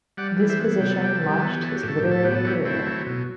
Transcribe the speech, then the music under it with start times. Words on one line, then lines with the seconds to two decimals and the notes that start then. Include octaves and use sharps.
This position launched his literary career.
0.17 G3 D5 F#5
0.39 E3
0.50 C5 E5
0.59 B3
0.80 C3 G4
0.91 A4
1.01 G3 G4
1.15 A4
1.22 E3
1.28 G4
1.39 B3 A4
1.51 G4
1.62 F#3 A4
1.75 G4
1.83 A2 A4
1.98 G4
2.04 A2
2.11 A4
2.23 B3 G4
2.35 A4
2.44 F#3 E4 G4
2.65 A3 C4 E4
2.87 F#3
3.06 B2